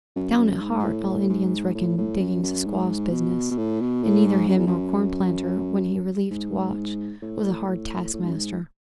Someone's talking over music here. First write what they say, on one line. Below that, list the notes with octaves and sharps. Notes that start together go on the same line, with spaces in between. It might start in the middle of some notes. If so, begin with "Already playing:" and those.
Down at heart all Indians reckon digging a squaw's business, and neither him nor Cornplanter, when he relieved watch, was a hard task-Master.
F#2
F#2
G#2
G#2
A2
G#2
A2
A2
F#2
F#2
G#2
B2
B2
A2
B2
A2
G#2
F#2
E2
F#2
G#2
A2
A2
A2
G#2
F#2
G#2